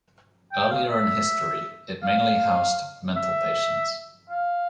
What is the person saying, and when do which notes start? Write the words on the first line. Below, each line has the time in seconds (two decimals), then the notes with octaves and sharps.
Earlier in history, it mainly housed mental patients.
0.53 G5
0.70 F5
0.90 E5
2.03 F5
3.16 E5
4.30 F5